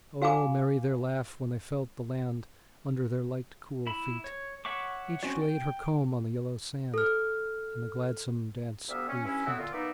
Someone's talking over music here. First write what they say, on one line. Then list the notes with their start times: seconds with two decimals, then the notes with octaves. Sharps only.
O merry their laugh when they felt the land Under their light cool feet! Each laid her comb on the yellow sand, And the gladsome dance grew fleet.
0.22 F#4 F5 G#5 A#5 D6
3.87 E4 B5
4.24 C#5
4.65 C#5 E5 F#5 C#6 D6
5.23 C4 C#4 F#4 D5
5.42 G5
6.94 A4 F6
8.89 D2 G3 B3 G4 E5 F5
9.07 C#4
9.24 G2 C#4 E4
9.45 F#3 A3 B3 C4 E4 F#4
9.59 A#2 D3 F4
9.72 A#3 B3 D#4 B4 D5 E5